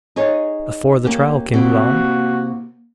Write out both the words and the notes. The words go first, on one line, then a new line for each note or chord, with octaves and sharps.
"Afore the trial kims on."
D#4 G#4 C#5
A#3 C#4 G4
C3 A#3 E4 F#4